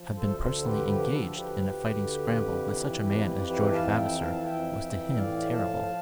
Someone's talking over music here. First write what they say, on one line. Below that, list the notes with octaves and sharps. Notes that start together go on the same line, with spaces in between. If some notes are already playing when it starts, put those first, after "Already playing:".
To have been personally engaged in a fighting scramble with such a man as George Vavasor was to him terrible.
Already playing: F3
D2 A4 C5
A4 C5
D3
G4 B4
F3 G4 B4
F4 A4
D2
G4 B4
D2
D3
F2
E3
F2 G4 B4
G4 B4
E3
G4 B4
F2 F5 A5
E5 G5
E3
F5 A5
A5
F2 E5 G5
E3
A2 D5 F5
F3 F5 A5